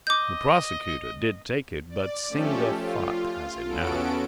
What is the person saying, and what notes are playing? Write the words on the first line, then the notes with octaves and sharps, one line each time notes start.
"The prosecutor did take it, but Singa Phut has it now."
D#5 D6 G6
D5
F3 A3 C#4 G4 A4
F4
E2 B3 C#4 F#4 A4 D7